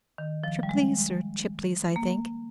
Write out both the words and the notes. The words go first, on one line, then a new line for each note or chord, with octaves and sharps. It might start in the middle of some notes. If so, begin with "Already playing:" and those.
Tripley's or Chipley's, I think.
D#3
F3
G3
G#3
A#3